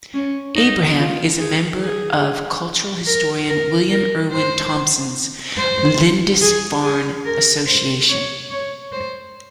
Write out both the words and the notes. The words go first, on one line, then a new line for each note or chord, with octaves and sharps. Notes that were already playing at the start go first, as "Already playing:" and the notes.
Abraham is a member of cultural historian William Irwin Thompson's Lindisfarne Association.
C#4
D#4
F4
G#4
G#4
A#4
A#4
A#4
C5
C5
G#4
G#4
A#4
C5
C#5
C#5
C5